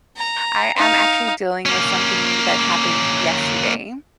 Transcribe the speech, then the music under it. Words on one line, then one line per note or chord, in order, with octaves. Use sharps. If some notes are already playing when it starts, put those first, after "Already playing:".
I I'm actually dealing with something that happened yesterday.
A#5
D#4 F5
A#3 C#4